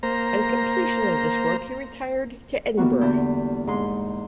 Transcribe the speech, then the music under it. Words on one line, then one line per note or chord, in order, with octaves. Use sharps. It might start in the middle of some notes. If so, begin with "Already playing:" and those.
On completion of this work he retired to Edinburgh.
A#3 C5 A#5
E3 G3 A#3 B3 F#4
E2 D3 E4 G6
G#2 C6